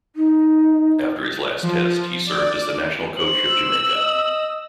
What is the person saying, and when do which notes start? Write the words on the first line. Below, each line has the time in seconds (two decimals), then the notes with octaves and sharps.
After his last Test, he served as the national coach of Jamaica.
0.15 D#4
1.63 F3
2.27 D5
3.17 C5 F#7
3.49 E6
3.96 D#5